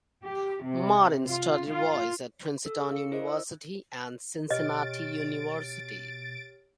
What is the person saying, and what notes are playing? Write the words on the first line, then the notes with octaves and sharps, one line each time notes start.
Martin studied voice at Princeton University and Cincinnati University.
G4
C3
F4
F4
A4 E6
G#4
F5 C#7
E4 A#4 C5 D5 D#5
E6
B2 G4 C#5 D#5 F6 A6 D7